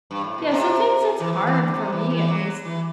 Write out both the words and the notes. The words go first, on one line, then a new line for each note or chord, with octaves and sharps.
Yeah, sometimes it's hard, for me, at least,
G2
A2
B2
C3
E3
E3
E3
D3
C3
E3
E3
F#3
E3